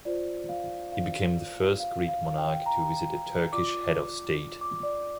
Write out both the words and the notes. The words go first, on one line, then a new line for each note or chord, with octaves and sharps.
He became the first Greek Monarch to visit a Turkish Head of State.
F4 C5 D5
F5
F5
F5
F5
G5
A#5
F4 D5 D6
D6
D5